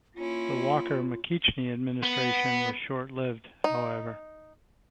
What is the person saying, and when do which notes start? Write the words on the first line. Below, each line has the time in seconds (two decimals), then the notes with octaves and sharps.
The Walker-McKeachnie administration was short lived, however.
0.16 A#3 C#4 E4 F4
2.03 B3
3.64 D#4